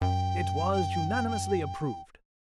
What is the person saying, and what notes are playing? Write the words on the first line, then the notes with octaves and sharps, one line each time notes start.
It was unanimously approved.
F#2 G5